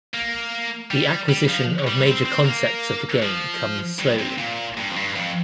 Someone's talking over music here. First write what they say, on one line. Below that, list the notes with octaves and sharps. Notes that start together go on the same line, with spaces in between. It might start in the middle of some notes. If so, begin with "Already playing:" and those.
The acquisition of major concepts of the game comes slowly.
A#3
G3
G3
F3
G3
C4
C4
A#3
F3
G2
C3
A#2
G2
F2
G2
F2